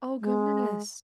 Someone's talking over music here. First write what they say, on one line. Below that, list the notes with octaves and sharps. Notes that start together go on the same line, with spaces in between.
Oh, goodness.
G#3